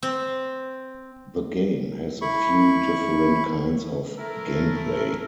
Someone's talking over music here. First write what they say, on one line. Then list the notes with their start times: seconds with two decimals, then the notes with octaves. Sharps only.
The game has a few different kinds of gameplay.
0.02 C4
2.21 E4 B5 C#6
4.19 A3 E4 A4 A#4